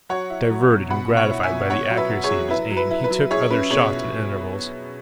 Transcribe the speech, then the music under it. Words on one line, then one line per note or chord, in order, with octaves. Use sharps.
Diverted and gratified by the accuracy of his aim, he took other shots at intervals.
F#3 C#5 F#5
E4
F#3
B2
B2 F#5 B5
B2
C#5 F#5
E4
E5 G#5
B2
B2 C#5 F#5
F#3
B4 E5
F#3
G#4 C#5
F#3
E4 B4
F#3
B4
E4
B4
F#3
E4 G#4 C#5
C#4 B4
B2 G#4 C#5